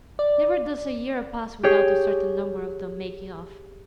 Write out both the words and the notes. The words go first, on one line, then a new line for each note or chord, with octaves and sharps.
Never does a year pass without a certain number of them making off.
D5
G4 G#4 C#5